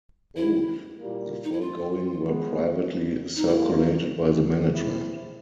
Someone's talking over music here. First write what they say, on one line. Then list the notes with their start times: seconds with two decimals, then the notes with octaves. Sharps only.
Both the foregoing were privately circulated by the management.
0.37 E4
0.99 A#2 G3 A#3
1.44 D#4
1.52 E4
1.61 F4
2.23 F3 G#3 B3
3.36 D#4
3.48 A2 E3 G3 A#3 E4
4.72 E3 G#3 C4 E4